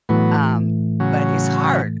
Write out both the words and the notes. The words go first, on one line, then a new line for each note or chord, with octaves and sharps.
um, but it's hard,
A2 E3 F#3 A3 B3
C#3 F#3